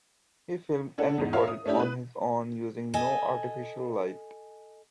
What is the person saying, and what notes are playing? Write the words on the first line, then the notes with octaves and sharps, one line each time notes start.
He filmed and recorded on his own, using no artificial light.
C#4 D4 A4 F#5
E2 G#2
F4 A#4 C#5 E5 F5
D#6
A3 C#4 D4 E4 G4
B4
A4 D#5 G#5